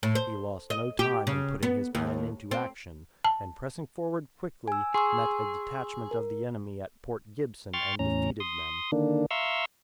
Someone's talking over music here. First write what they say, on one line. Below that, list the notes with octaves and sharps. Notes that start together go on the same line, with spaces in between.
He lost no time in putting his plan into action, and pressing forward quickly, met a detachment of the enemy at Port Gibson and defeated them.
A2
C5
D#5
G4
C#3
B3
D#2
C4
A5
G#5 E6
G#4 C6 C#6 E6
A#4
G5 C6 C#6 F6 A6
E2 A2 C#4 A#5
C6 D#6
D3 D#3 A#3 D4
E5 F5 A#5 C6 C#6 E6